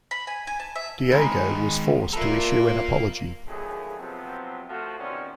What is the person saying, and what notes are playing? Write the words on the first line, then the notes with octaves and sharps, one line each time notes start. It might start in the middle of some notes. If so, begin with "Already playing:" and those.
Diageo was forced to issue an apology.
B5
G#5
G#5
A5
E5
D#3 G#3 B3 C4 A#4 G#5
A#2 A4 B4 E5 F5 A#5
A#1 D#2 F#3 A3 G#4
C3 F3 F#3 B3 C4
F3 A3 F4 F#4
C3 D#3 F3 G3 B3 C#4